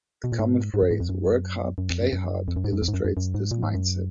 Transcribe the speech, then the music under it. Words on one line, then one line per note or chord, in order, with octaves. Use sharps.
The common phrase "Work hard, play hard" illustrates this mindset.
B2
A#2
G#2
G#2
F#2
G#2
F2
F#2
F#2
F2
F#2
F#2
F2
F#2
G#2
F#2
F2
G#2
F#2
F#2
F#2
G#2
A#2
G#2
F#2